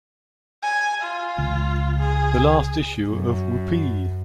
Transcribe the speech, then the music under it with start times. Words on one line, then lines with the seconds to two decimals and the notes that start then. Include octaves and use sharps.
The last issue of Whoopee!
0.63 G#5
1.03 F4
1.38 C#2
1.99 G#4
3.11 F#2